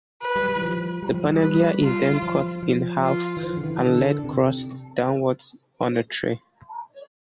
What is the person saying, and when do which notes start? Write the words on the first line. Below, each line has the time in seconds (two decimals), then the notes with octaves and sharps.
The Panagia is then cut in half and laid crust downwards on a tray.
0.22 B4
0.36 G3
0.49 G3
0.56 E3
0.62 F3
1.02 G3
1.14 F3
1.28 G3
1.42 B4
1.83 F4
2.22 F3
2.63 F3
3.04 F4
3.37 E3
3.43 F3
3.57 D3
3.63 E3
3.83 D3 A4
4.19 D3
4.24 C3